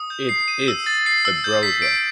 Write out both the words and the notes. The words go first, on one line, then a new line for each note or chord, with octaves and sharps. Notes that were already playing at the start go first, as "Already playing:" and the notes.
It "is" a browser.
Already playing: D#6
G6
C7
D#7
E6
A6
C7
E6
G6
B6
D7